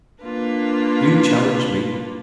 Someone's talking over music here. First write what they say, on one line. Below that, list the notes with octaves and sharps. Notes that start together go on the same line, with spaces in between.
You challenged me.
A#3 D4 F4 B4